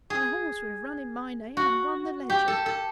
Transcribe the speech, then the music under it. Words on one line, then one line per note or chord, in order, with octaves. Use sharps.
And the horse would have run in my name and won the Leger!
G#4
F#4
G4
A4
A4